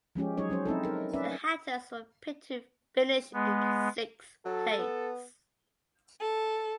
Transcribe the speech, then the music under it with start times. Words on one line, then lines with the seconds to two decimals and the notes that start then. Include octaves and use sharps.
The Hatters were picked to finish in sixth place.
0.15 F3 G#3 C#4 G4
0.37 F#3 D#4 G#4 C#5
0.50 F#3 C#4 C5
0.65 C4 D#4 E4 A4
0.85 A#4
1.13 C#4 B4 D5 E5
3.33 G#3 B3
4.45 F#3 A4
4.79 B3
6.20 A4